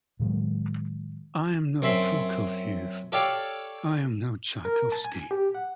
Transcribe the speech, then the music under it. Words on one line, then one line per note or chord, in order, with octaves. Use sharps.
I am no Prokofiev, I am no Tchaikovsky.
A2 D#3 F#3 G#3
F#2 C4 E5 B5 C6
G4 A4 C#5 D5 F5 G5
A#4
A5
G#5
G4
F#5